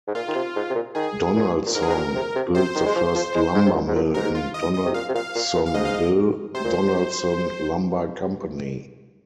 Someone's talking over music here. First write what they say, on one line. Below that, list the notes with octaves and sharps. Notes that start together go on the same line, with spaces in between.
Donalson built the first lumber mill in Donalsonville, Donalson Lumber Company.
G#2
A#2 F4
D#3
C3
G#2
C3
A#2
D#3 G#4
A#2
A#2
G#2 A#4
G#4
G#2
A#2 A#4
C3
C3
C3 C5
D#3
G#3
F3
F3
G#3
G#2
C3
A#2
G#2
A#2
G#2 A#4
F4
D#5
D#5
C3
A#2 F5
C3
A#2 F5
A#2
A#2
F5
G#2 D#5
F5
D#5
C3 C5
A#2